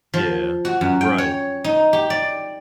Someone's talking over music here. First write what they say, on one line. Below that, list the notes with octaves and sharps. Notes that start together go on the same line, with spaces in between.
Yeah, right.
F3
F#4
F#2
G5
C#5
D#4
G4
D5